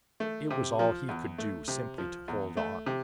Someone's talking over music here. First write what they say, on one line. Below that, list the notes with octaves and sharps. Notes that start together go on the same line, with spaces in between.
It was all he could do simply to hold on.
A3
C3
F3
E2
A3
C3
F3
E2
A3
C3